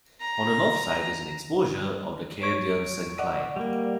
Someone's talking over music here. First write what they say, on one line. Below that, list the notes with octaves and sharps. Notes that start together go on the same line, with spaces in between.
On the north side is an exposure of the Caerdion Syncline.
A#5
C#5 C#6 G#6 D7
D5 D#5 F#5
G3 A#3